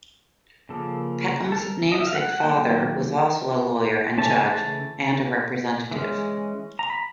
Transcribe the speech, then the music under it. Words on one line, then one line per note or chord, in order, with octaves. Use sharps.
Peckham's namesake father was also a lawyer and judge, and a representative.
C#3 F3 A#3 A4
A4
A#4
D#5
E5
F5
F#5
F#5
D#3 F#3 A#3 G5
C#3 E3 A3 C#4 A5
G#5
A5
E3 G#3 C#4
A#5
B5